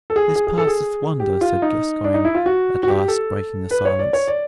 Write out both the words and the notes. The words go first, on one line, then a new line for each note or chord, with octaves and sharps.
"This passeth wonder," said Gascoyne, at last breaking the silence.
A4
G#4
G#4
G#4
A4
G#4
G4
F4
D#4
D4
D#4
E4
F4
F#4
F#4
G4
A4
B4
C#5
D5
C#5
D5